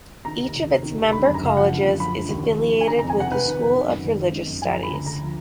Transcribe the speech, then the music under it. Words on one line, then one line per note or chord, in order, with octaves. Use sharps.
Each of its member colleges is affiliated with the School of Religious Studies.
D#3 A#5
D#2
F1
F1
D#3
D#2
D3 B5
B5
F#2
A#5
F#1 F5
F3 F#5
D3
F#2
F3 B5
D3
D#2
D#2
F3
D3
G#5
D#3 A#5
A#5
F2
G#5
F1 F#5
F1 B4
D#3
F2
D#3
F#2
G#1
G#1
D#3
F#2
F3 G#5
A#5
D3
B5
D2 A#5
D2 A#5
F3